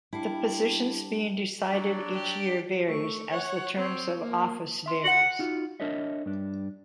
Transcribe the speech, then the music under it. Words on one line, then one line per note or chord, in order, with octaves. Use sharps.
The positions being decided each year varies, as the terms of office varies.
G3 D4 E4 F5 A5
F#3 D4 D5
G4
A3 C#6
C#5 F#5
C4 C#5
A#3
E5 C6
D#4 F4 F#4
D4 A#4 C#5 D#5 E5
G2 D4